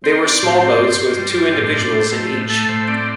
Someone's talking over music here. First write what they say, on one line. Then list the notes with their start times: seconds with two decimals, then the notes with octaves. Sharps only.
They were small boats with two individuals in each.
0.04 C4 C5
0.23 C4 D5
0.43 A2 C5
0.61 C4 C5
0.80 G2
0.99 G2
1.19 G3
1.37 G2
1.56 A2
1.75 D4
1.93 A2
2.12 A3
2.31 A2
2.50 A3 A4
2.69 A2 C5
2.88 C4 D5